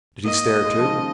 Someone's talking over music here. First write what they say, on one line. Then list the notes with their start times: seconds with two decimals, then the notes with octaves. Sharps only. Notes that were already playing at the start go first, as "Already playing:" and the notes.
"Did he stare too?"
0.25 A#3 D#5
0.45 A#3
0.65 G#3
0.79 F3
0.85 D#3
0.97 C#3